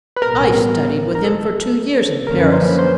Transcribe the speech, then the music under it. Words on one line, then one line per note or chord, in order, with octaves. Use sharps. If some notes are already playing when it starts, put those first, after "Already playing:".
'I studied with him for two years in Paris.
B4
B1 A2 E3 G3 B3 A#4
A#4
A4
F#2 D3 F3 A#3 C#4 A#4
B4
C5
B4
C5